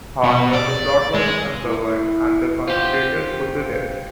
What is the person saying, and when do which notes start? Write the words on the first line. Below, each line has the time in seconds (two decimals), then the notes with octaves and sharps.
However, the plot was uncovered, and the conspirators put to death.
0.24 B2
0.53 D5
1.15 G#3
1.65 E4
2.68 F4 G4 C5